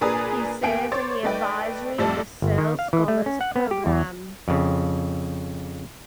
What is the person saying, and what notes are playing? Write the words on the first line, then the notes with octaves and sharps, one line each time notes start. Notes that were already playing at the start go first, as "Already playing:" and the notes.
He served in the advisory of the Searle Scholars Program.
A#2 D4 G#4 B4 A#5 D#6
D#2 A#3 B3 G5 G#5 D7
C5 C#5 D6 A6
A3 D#4 B4 D5 G5
F2 A2 G3 A3 D5 A5
G1
D#3
F5
E3
A3
C#4
F#5
B3
G4
E2
F2 C#3